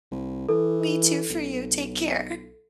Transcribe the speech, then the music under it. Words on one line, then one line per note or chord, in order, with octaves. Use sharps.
Me, too, for you. Take care.
C2
E3 A4
B1